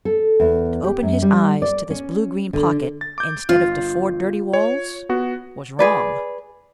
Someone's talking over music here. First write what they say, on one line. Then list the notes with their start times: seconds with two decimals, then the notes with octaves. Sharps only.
To open his eyes to this blue-green pocket instead of to four dirty walls, was wrong.
0.05 A4
0.40 E2
0.84 G4
1.02 F#2
1.22 G3
1.62 D5
1.90 C#4
2.53 D3
3.01 A6
3.18 D6 G6
3.49 G1 F4
4.53 C#5
5.09 B3 F#4
5.79 G#4 B4 D5